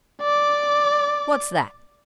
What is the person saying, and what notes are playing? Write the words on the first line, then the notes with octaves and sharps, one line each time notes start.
"What's that?"
D5 D6